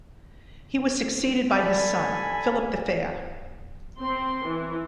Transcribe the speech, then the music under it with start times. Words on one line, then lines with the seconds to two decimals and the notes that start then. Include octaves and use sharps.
He was succeeded by his son Philip the Fair.
1.58 G3 D4 A4 G#5 B5
3.99 C4 C6
4.47 E3